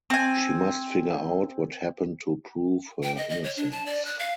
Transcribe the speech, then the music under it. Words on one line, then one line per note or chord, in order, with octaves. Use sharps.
She must figure out what happened to prove her innocence.
C4 G#5
G5
D#5
D#5
C#5
D4
A5
D5
F#6
F5